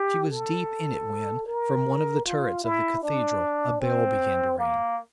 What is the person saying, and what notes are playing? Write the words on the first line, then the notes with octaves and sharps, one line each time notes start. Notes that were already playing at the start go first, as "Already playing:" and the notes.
She was deep in it when, from one of the turrets of the Cathedral, a bell began to ring.
Already playing: G4
A4
A#4
F4
E4
D4
C4
A#3